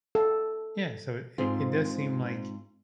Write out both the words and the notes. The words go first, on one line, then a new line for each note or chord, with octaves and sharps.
Yeah, so it it does seem like,
A4
G#2 C4 F4